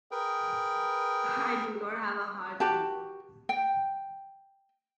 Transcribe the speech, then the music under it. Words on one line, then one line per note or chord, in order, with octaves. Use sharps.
I do not have a heart anymore.
G#4 A#4 B4 G5
F#4 G4 A5
G5